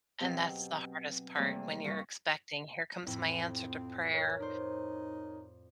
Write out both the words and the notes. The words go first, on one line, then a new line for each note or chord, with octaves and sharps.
and that's the hardest part when you're expecting, "Here comes my answer to prayer,"
B2 F#3 C4 G4 G#4
E2 C3 G3 A3 A#3
G2 F4 C#6
F2 A2 C4 E4
A#4 C#5
D#4 C5 D5